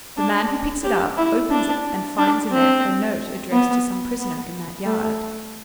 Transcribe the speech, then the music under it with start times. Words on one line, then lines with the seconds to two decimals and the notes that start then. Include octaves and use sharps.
The man who picks it up opens it and finds in it a note addressed to some prisoner in that yard.
0.17 D4
0.84 G4
1.17 E4
1.51 D4
2.18 D4
2.52 C4
3.52 B3
4.19 B3
4.86 A3